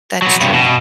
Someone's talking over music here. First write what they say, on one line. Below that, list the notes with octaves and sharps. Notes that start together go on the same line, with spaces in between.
That's true.
F#3 B3
G2 C3
B2